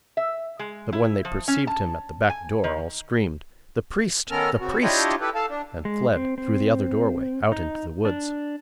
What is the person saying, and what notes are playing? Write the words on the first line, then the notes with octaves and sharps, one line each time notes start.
But when they perceived him at the back-door all screamed, "The priest! the priest!"--and fled, through the other doorway, out into the woods.
E5
G#3
E4
F3
C#4
A5
G#5
D#3
D#3 B3 C#4 A4 A#4 F6
C#3 C4 F#4
D4 E4 F4 G4 C#5 D#5
E4 G4 A4 B4
A4 F5 A5
D4
G#3
C4
C4
D#4
D4